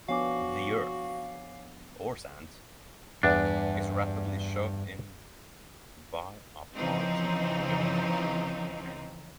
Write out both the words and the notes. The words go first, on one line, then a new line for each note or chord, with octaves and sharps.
The earth or sand is rapidly shoved in by a party of young men.
F3 B3 D4 F#4 C#5 F5 G#5 D6
E2 G2 D4
C#3 E3 F3 C4 D#4